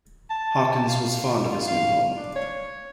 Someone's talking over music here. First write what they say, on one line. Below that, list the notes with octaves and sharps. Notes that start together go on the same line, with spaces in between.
Hawkins was fond of his new home.
A5
F5
F4
F4
F5
D4
C#5